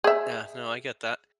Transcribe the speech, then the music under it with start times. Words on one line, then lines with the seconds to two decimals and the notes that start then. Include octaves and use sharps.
M uh, no. I get that.
0.04 G#4 E5